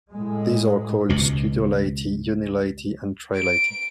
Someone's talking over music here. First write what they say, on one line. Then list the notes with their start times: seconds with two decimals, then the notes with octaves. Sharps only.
These are called Studiolite, Unilite and Trilite.
0.11 A2 G#3
1.09 C#2 B2
3.36 D7